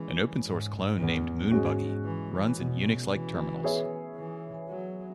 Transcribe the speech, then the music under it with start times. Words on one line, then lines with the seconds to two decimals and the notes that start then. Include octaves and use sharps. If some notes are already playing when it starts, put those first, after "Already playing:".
An open-source clone named "moon-buggy" runs in Unix-like terminals.
Already playing: E3 G#3 C#4
0.46 G#2
0.98 E2
1.51 G#2 G#3 C#4 F#4
2.05 E3
2.57 B2
3.11 E3
3.64 B3 G#4 C#5 E5
4.16 E3
4.69 F#3